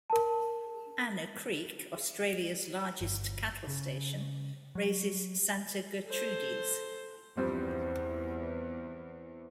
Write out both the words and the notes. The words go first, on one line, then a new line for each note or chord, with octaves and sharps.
Anna Creek, Australia's largest cattle station, raises Santa Gertrudis.
A#4 A5
G1
C#3
F#3
A4 C5
E2 G2 F3 G3 C4